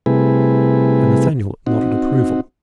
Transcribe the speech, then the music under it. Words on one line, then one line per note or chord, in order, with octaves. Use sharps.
Sir Nathaniel nodded approval.
C3 G3 A3 E4 G#4 B4
C4 D#4 F#4